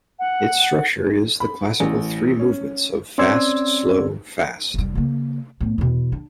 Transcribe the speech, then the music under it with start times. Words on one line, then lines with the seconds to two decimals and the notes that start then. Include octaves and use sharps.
Its structure is the classical three movements of fast-slow-fast.
0.19 F#5
1.40 B5
1.80 A1
2.39 C#4
3.18 C4 C#4 D5 C6 E6 G#6
4.74 F1 G3
4.95 C#3 A#3
5.60 A2 B3
5.78 E2 B2
6.12 D4